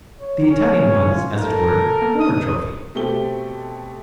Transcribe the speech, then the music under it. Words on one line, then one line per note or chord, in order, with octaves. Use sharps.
The Italian was, as it were, a war trophy.
C#5
C#4 C#5
F4
A4 A#4
D#6
B2 A3 C4 G4 G7